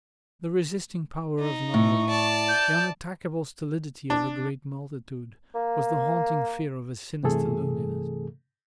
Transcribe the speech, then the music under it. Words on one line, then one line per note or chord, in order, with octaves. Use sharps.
The resisting power of numbers, the unattackable stolidity of a great multitude, was the haunting fear of his sinister loneliness.
D#4
A2 C#6
D5 A5
G6
D4
A#3
G2 C3 E3 A3 G#4 A4